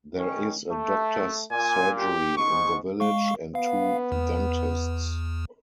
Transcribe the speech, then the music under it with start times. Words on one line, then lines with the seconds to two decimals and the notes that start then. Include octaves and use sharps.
There is a doctor's surgery in the village, and two dentists.
0.17 D#3 C#4
0.71 A3
1.52 A#2 G#5
1.99 G4
2.37 G#2 C#6
3.00 G#3 F5 C#6
3.55 B3 F5
4.12 E2